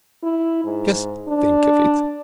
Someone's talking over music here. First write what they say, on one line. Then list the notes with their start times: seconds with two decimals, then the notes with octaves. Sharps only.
Just think of it!
0.24 E4
0.65 G#2
1.28 D4